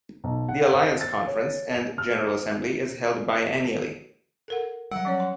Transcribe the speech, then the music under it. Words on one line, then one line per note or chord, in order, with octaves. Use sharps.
The Alliance conference and general assembly is held biennially.
B1
F#5
C5
A6
C#5
F7
F6
A4 A#4 F#5
F#3 G3 F#5
F3 C#4 C#5
C6